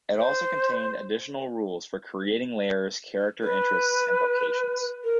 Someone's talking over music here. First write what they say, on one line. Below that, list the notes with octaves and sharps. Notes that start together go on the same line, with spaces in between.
It also contained additional rules for creating lairs, character interests and vocations.
C5
B4
A#4